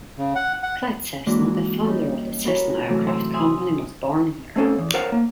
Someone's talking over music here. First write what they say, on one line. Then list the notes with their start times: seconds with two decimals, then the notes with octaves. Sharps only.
Clyde Cessna, the founder of the Cessna Aircraft Company, was born here.
0.18 C#3
0.36 F#5
0.63 F#5
1.26 E3 G#3 A#3 D4 F#4 B4
1.84 G3 C#4 D#4
2.45 B3 F#4 G4 A#4 B4 C#5
2.88 C3 E3 F#3 A3 B3
3.07 C5 E5
3.33 E5 G#5 C6 D#6
4.56 A3 C4 C#4 A4
4.78 E2
4.94 A#4 C5 C#5 F#5
5.12 A#3